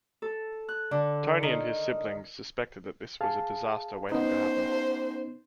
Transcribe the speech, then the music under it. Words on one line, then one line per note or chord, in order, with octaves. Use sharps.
Tony and his siblings suspected that this was a disaster waiting to happen.
A4
F#6
D3
D#3
G#4 F5 A5
B3 C#4 D#4 C5